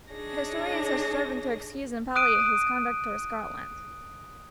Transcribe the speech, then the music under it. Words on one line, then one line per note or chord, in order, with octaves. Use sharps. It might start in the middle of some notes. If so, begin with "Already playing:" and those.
Historians have striven to excuse and palliate his conduct toward Scotland.
D4 D#4 G#4 C#5 A#6
D#6 F#6 D7 D#7